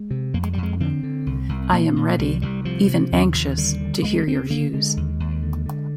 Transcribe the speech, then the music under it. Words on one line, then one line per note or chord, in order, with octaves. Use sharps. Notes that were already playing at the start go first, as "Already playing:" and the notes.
I am ready, even anxious, to hear your views.
Already playing: G#3
C3
F2 A#3
G#3
G3
F2
G#3
D3 C4
D3
C2
C2
A#2 A#3
A#2
C2 G3
C2 G3
C3 F3
C3
D#2
D#2
D3 G3
D3
D2 G#3
D2 C4
D3 A#3
D3 G#3
D#2
D#2
D3
D3